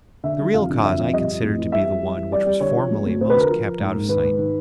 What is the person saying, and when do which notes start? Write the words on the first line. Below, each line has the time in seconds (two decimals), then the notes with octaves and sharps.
The real cause I consider to be the one which was formally most kept out of sight.
0.24 D3 E5
0.39 G3
0.54 F2 F5
0.69 D3
0.83 F2 E5
0.98 F2
1.13 G3 D#5
1.28 F2
1.43 A2
1.58 E3
1.72 G3 E5
1.88 G3
2.01 G3
2.17 E3
2.31 G3 D5
2.46 G3
2.61 D3 C#5
2.76 F3
2.91 G#3
3.06 D2
3.21 D2 C5
3.30 B4
3.35 D3
3.41 A#4
3.50 F3
3.64 F3
3.80 G#2
3.95 G#2
4.09 D#3 B4
4.24 G#2
4.38 D#3